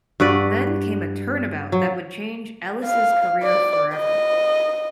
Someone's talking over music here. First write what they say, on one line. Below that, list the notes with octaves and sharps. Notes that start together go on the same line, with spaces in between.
Then came a turnabout that would change Ellis's career forever.
G2 F#4 B4 D5
F#3
F5
D5
D#5